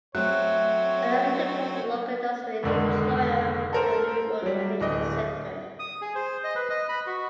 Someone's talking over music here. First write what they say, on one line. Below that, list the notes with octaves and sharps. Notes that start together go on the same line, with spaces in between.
Another important local industry and employer is the renewable energy sector.
F#3 A3 C4 C#5 F#6
F1 G#2 D3 D#3
A4 A#4 C5
F#3 G3
D1 D#5
D#6
G#4
C5
D#5
B4
D#5
B5
F#4